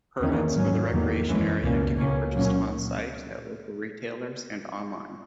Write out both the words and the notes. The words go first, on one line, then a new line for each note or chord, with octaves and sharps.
Permits for the Recreation Area can be purchased on-site, at local retailers and online.
E2 D#3 A#3 C#4
G#2 F#3 C#4
E2 D#3 F#3 A#3
F#2 E3 G#3 C#4
C#2 B2 A#3 C#4
C#2 B2 A#3 C#4
A#2 F#3 A#3 C#4